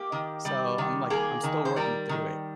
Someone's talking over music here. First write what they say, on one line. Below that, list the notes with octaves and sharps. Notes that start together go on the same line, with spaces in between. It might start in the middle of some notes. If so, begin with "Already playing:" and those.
So, I'm, like, I'm still working through it,
Already playing: A#3 G4
D#3
G3
D#3
A#3 G#4
D#3
C5
G3 A#4
D#3